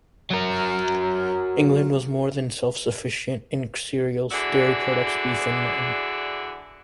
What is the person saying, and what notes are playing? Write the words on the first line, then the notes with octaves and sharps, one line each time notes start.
England was more than self-sufficient in cereals, dairy products, beef and mutton.
F#3 A#4
D3 E3 F#4 G#4 D5 E5